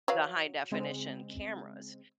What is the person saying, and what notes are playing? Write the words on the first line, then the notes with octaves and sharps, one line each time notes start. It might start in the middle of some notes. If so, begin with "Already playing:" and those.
the high definition cameras,
F#3 B4 F5
C#3 G#3 C4